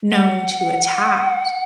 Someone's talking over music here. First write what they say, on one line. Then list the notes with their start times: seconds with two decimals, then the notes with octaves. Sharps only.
known to attacked.
0.11 F#5